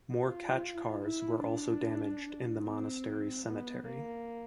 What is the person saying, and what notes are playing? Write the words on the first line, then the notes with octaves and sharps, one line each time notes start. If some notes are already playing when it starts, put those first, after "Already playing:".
More khachkars were also damaged in the monastery cemetery.
F4
E4
D4
C4
B3
A#3